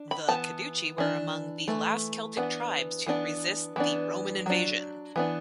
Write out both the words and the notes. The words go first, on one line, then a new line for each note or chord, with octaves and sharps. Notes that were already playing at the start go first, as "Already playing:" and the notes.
The Cadurci were among the last Celtic tribes to resist the Roman invasion.
Already playing: D4
B5
E3 B3 A5
E3 D4
E3 A3
E3 B3 D4
E3 B3 D4
E3 B3 D4
F#3 D4
E3 B3 D4